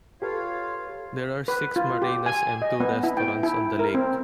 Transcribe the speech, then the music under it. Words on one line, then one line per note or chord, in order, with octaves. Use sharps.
There are six marinas and two restaurants on the lake.
F4 G4 A4 B4 C#5 F5
B4
F4
G4
G#5
D#5
B3
E4
G5
E4
A#4
C4